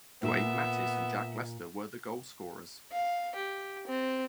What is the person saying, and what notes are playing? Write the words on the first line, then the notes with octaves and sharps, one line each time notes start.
Dwayne Mattis and Jack Lester were the goalscorers.
A#2 B3 E5
F5
G4
C4